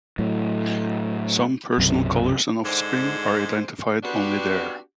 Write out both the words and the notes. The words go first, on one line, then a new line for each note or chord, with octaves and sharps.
Some personal colors and offspring are identified only there.
A2 F#3
B1 F#2 C3 C4
G#2 D3 G#3 C5
B3 C4 D4 F#4 G4